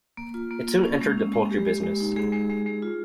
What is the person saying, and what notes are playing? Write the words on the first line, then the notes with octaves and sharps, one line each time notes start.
It soon entered the poultry business.
A#3
F4
A#3
A#3
C#4
G#3
C#4
G#3
G#3 G4
G#3
G#3
D#4
G#3 G#4
G#3
G#3
G#3
F4